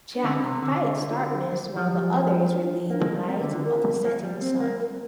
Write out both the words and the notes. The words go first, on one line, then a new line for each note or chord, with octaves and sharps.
Jack fights Darkness while the others relay the light of the setting sun.
D4
D3 C4
C3
D3
D4
F4
G4
A#4
C5
F3 G4
D4
F4
D4
A#3
A#3
G3
G3 C4
D3 D4
D3 F4
G4
A#4
A#3
G3
C4 C5
A#3
A#4